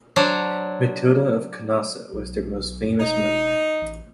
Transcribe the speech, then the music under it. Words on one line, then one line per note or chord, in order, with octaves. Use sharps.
Matilda of Canossa was their most famous member.
F#3 D4 C5 C#5
B1
F#2
E1 D#4
A1